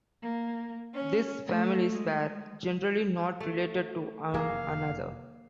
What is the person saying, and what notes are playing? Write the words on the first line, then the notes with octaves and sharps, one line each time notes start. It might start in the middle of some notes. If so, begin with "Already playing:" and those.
These families were generally not related to one another.
A#3
C#4
A3
G#3
A3
F1 F#2 D#3 A#3 G#4 E5 F5